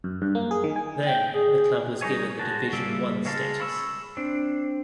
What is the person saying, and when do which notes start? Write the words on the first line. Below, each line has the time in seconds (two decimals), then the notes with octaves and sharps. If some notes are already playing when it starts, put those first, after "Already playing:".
Then, the club was given the Division One status.
0.04 F#2
0.22 G2
0.35 A#3
0.51 G#4
0.64 D#3
0.76 G#5
1.07 G5
1.34 G#4
1.75 A#2
2.01 G3 D#4 C#5 G#5
2.39 G#3 F#4 A5
2.73 C#3 G3 A#3 E5
3.25 C#3 G#3 C#5 F5 A5
3.60 B5 C#6 E6
4.17 C4 D4